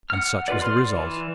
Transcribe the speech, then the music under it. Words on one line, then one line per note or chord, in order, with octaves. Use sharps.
And such was the result.
F#5 F6
F4 G4 B4 D5
D5 C6 F6
E3